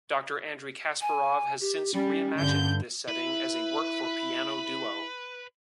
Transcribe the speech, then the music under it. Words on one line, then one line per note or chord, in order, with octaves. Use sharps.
Doctor Andrey Kasparov has since re-imagined this setting as a work for piano duo.
G#5
G4
G3 C#4
G2 D3 G6
E4 B4